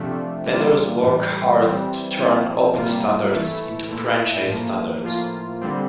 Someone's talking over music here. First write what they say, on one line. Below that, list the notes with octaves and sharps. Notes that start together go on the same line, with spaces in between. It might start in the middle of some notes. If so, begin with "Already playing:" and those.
Vendors work hard to turn open standards into franchise standards.
Already playing: C3 F3 A3 D4
E3 G3 A#3 D4 F4
A2 E3 G3
E3 G3 C4
F3 C4 E4
C3 G3 A#3 F4
E3 A3 E4
A#2 A3 E4
A2 F3 A#3
A2 F3 A#3 F4
D3 G3 C4